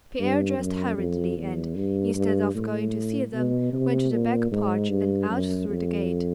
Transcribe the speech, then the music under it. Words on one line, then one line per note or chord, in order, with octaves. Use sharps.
Pierre dressed hurriedly and, instead of going to see them, went to the back porch and out through the gate.
G2
F#2
F2
E2
G2
G2
A2
B2
C3
A#2
G#2
G2
F#2
F2